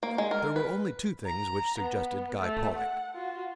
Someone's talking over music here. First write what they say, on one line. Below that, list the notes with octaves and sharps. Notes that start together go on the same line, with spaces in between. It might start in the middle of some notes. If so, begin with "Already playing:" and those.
There were only two things which suggested Guy Pollock.
A#3
G#3
A#4
B4
A#5
B3
A3
F#5
F4 F#4